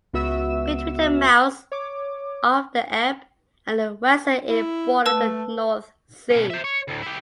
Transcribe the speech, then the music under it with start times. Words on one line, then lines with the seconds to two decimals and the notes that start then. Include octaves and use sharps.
Between the mouths of the Elbe and the Weser it bordered the North Sea.
0.13 C#2 B3 F#4 E5 E6 E7
1.72 C#5 D6
4.49 E4
5.06 A3 B4 A5 E6
6.31 B2 C#4
6.50 C5 E5
6.64 C#5
6.88 D2 A2
7.02 E4 G4